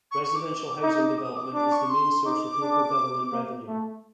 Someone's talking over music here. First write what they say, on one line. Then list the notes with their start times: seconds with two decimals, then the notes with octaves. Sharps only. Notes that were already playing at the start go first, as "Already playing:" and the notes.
Residential housing development is the main source of local government revenue.
0.11 C#6
0.23 C#6
0.35 D6
0.83 D#4 D6
1.18 D#6
1.36 D6
1.54 D4 D6
1.72 C#6
1.90 C6
2.25 D#4 D6
2.61 D4
3.32 A#3
3.67 A3